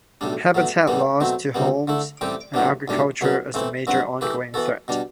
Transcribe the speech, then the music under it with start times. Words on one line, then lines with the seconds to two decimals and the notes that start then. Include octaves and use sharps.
Habitat loss to homes and agriculture is the major ongoing threat.
0.21 B1 A2 G3 D4
0.54 A2 F#3 B3
0.87 A1 A2 E3 G3 B3
1.20 B2 F#3 A3 C4
1.54 D2 C3 G3 B3
1.88 D3 A3 E4
2.21 A1 A2 G3 C4 G4
2.54 A2 F#3 B3 D4
2.88 B1 A2 G3 D4
3.21 C2 B2 F#3 B3
3.54 A2 E3 A3 C4 E4
3.87 G2 F#3 C4 F#4
4.21 E3 A3 E4 G4 B4
4.54 E3 B3 F#4 A4
4.88 B2 G3 D4